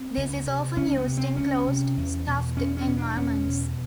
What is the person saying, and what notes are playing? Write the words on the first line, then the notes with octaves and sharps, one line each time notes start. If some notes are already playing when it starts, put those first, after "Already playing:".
This is often used in closed, "stuffed" environments.
Already playing: C4
C#2
C3
C#2 C#4
B3
C3
C4
C#2 C#4
C3
E2
B2
E2 C#4
C#4
B2
D4
E2 C#4
B2